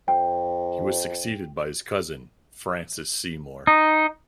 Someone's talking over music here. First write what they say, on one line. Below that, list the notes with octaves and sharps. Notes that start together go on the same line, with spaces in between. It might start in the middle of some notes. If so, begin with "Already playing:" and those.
He was succeeded by his cousin, Francis Seymour.
F2 G5
D#4